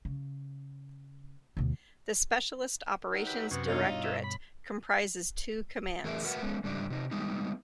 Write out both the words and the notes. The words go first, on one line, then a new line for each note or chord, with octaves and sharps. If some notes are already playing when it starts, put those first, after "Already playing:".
The Specialist Operations Directorate comprises two Commands.
C#3
D2 B2
D#3 F#3
G4 B4
F#2 C3 B3 C#4
G2 B2 D#4 F4 C#5 F5
E5
B5
E2 A2 G#4 A#4 E5
F#4 A#4 B4 E5 F#5
G#3 B3 C#4 A4
G#2 C#3 G3 A3 D4
C3 D#4
G3 G#3 B3 D#4